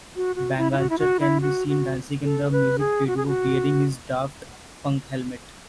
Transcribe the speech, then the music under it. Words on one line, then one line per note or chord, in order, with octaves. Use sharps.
Bangalter can be seen dancing in the music video, wearing his Daft Punk helmet.
F#4
F#4
E4
E4
F#4
E4
F#4
E4
F#4
F#4
A4
B4
G#4
F#4
G#4
F#4